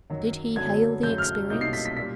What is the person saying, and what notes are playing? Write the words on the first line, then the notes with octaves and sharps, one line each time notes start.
Did he hail the experience?
F#2 D#3 F#3
F#2 D3 F#3 B3 G#6
G#1 F#2 C#3 F#3 A3 G6
F6
C2 B2 G3 A#3 D#4 G6
C7
B6
B6
A#2 G3 B6